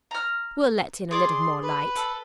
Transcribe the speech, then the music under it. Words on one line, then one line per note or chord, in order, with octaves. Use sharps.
We'll let in a little more light.
A#5 F6
G#4 D5 C6
B4
A4